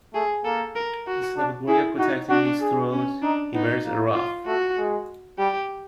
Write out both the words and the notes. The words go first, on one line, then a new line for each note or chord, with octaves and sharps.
Instead of a gorget protecting his throat he wears a ruff.
A3 G#4
A#3 A4
A#4
F#4
D4
E4 G#4
D#4 F#4
D4 F#4
G#4
C#4
D4 D#4
B3 D#4
A#3
F4
A3 F#4
G#3
G3 G4